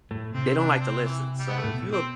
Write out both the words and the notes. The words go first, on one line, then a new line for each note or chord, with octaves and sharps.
they don't like to listen. So if you a
A2 A3
C3 C4
D4
C4
E3
G3
B3
A3
A2
B2
C4